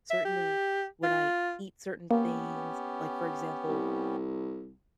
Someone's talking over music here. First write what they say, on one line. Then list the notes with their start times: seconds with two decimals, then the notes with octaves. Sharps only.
certainly when I eat certain things, like, for example,
0.10 E5
0.25 G4
1.03 F4
2.11 A#3 B3 C#4 G4
3.68 C2